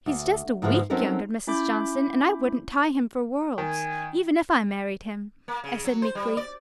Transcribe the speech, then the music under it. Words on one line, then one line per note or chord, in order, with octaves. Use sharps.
"He's just a week younger, Mrs. Johnson, and I wouldn't tie him for worlds, even if I married him," I said meekly.
D2
G#2 D3 E3 F3 G#3 A3
F#3 C4 C#4 D#4 A4 A#4
C#4 E4 E5 B5 D6 G6
D#3 G#5
A#3
C#3
F#3
C5
G3
D5